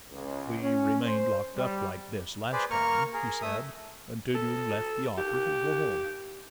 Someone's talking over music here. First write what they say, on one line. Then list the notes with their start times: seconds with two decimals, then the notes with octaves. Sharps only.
"We remained locked up like this, last time," he said, "until you left the Opera to go home."
0.11 C#2
0.62 C#4
1.03 C5
1.56 G3
2.53 G#4 B4 C5 D5
2.71 A#3 A#4 C#6 F6
3.14 G#4 A#4
3.42 A3 E5 D#6
4.35 A4
5.18 G4